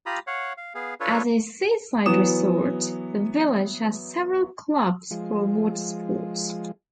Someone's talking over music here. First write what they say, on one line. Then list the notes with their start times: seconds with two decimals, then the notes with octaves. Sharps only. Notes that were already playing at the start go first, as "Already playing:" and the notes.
As a seaside resort, the village has several clubs for watersports.
0.06 F4 G4 A#5 B5 D#6
0.27 C#5 F5 F#5
0.57 F5
0.75 B3 G#4 F5
1.00 D4 F4 A4 B4 C#5
2.06 E3 F#3 B3 D#6 E7
5.11 F3 G#3